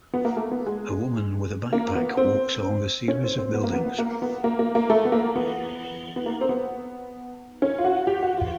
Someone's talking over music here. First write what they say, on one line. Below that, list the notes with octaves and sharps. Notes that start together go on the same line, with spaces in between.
A woman with a backpack walks along a series of buildings.
B3
A#3
A3
B3
G#3
A#3
B3
C4
C#4
C4
C4
B3
A#3
B3
A#3
B3
A#3
A#3
A#3
A3
B3
A#3
B3
B3
A#3
C4
B3
C#4
F4
F#4
G4
F#4
F4